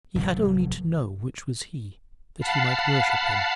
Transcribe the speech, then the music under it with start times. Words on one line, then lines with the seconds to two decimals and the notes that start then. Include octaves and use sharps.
He had only to know which was he, that he might worship him.
0.15 F1 A2 F#3
2.40 F5 F#5 A5 B5 C7